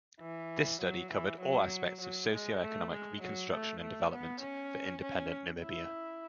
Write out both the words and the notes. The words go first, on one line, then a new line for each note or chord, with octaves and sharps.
This study covered all aspects of socio-economic reconstruction and development for independent Namibia.
E3
F#3
E3
F#3
F#3
G#3
A3
G#3
F#3
A3
A3
B3
C#4
C#4
E4